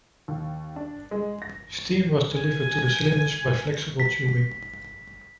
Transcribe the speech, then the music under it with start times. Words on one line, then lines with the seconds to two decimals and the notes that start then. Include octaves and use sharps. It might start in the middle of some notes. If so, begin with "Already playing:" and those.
Steam was delivered to the cylinders via flexible tubing.
0.28 D#2
0.76 D4
1.11 G#3
1.42 A#6
2.35 G#5
4.00 B6